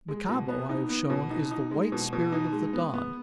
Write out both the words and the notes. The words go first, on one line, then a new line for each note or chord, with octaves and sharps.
Michabo, I have shown, is the white spirit of the Dawn.
G#3
B2
B3
D#4
B3
B2
D#4
D#4
G#3
B2
B2
D#4
G#3
B3
B3